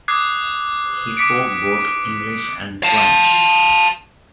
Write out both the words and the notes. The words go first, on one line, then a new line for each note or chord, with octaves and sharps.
He spoke both English and French.
D6 D#6 F#6 G#6 C7
D6 B6 C#7 D7
F5 A5